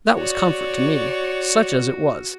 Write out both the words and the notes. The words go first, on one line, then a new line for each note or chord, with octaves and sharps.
That was comfort to me, such as it was.
F#4 C#5 D5